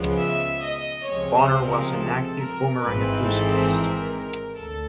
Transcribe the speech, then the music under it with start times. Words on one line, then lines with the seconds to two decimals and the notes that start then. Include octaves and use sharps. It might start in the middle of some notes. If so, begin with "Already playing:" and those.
Bonner was an active boomerang enthusiast.
Already playing: C#2 C#3 F3 G#3 B3
0.19 E5
0.63 D#5
1.06 C#2 C3 F3 G#3 C4 C#5
1.36 C5
1.65 A#4
1.95 A4
2.38 A#4
2.82 G#1 G#2 E3 G#3 C4 B4
3.27 A4
3.70 A#4
4.14 A#4
4.58 D2 A4